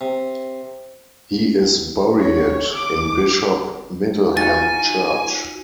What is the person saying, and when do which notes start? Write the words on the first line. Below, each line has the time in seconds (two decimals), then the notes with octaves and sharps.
He is buried in Bishop Middleham church.
0.01 C3
2.19 C#5
2.73 D6
4.37 D#4 F4 F#4 G#5 A6